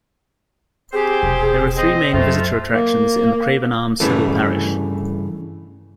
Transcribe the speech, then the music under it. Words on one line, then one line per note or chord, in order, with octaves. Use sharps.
There are three main visitor attractions in the Craven Arms civil parish.
C4 G4 G#4 C5
E1 C3
C4 C5 D#5
F#2 A3 F4 C5
A#3
G2 C#3 E3 A3